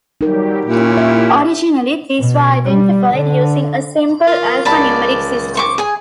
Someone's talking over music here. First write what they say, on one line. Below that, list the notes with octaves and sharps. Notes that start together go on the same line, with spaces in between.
Originally, these were identified using a simple alphanumeric system.
F#3 G3 D#4 G4 A#4
A#2 C#4 E4 G4
E5
B2
G3
D3
F4 A#4
C#2 D5 A5 B5
C5 C#6 D6
G#4 G#5